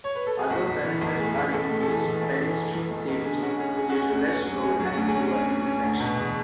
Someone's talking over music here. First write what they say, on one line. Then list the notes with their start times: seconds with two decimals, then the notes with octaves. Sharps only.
Other benefits are increased pedestrian safety due to less road and fewer intersections.
0.04 C#5
0.15 B4
0.27 A4
0.39 G#4
0.50 B1 F#4
0.67 B1
0.84 E3
1.01 B1
1.19 A2 G#4
1.36 B1
1.53 B1 A4
1.70 A2
1.82 A4
1.87 E3 G#4
2.05 E3
2.22 B1
2.39 E3
2.57 B1
2.73 B1
2.91 B1
3.08 B1
3.25 D3 G#4
3.42 C#4 F#4
3.59 C#4 G#4
3.77 C#4 G#4
3.89 F#4
3.94 C#4 G#4
4.11 D2
4.28 C#4 F#4
4.46 F#3
4.63 C#4 G#4
4.80 F#3
4.86 F#4
4.97 D2
5.08 G#4
5.14 C#4
5.31 C#4
5.49 C#4
5.66 C#4
5.83 D2
6.00 B2
6.17 E2